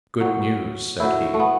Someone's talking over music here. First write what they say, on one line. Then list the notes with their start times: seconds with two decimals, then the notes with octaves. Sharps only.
"Good news," said he.
0.20 A2 F#3
1.00 A2 F#3 E4
1.34 A3
1.40 B3